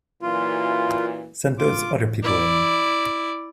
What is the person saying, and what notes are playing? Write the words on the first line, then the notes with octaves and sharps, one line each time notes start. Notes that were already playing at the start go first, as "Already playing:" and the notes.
Send those other people in.
F#2 A#2 E3 F4
F4 D6
E4 D5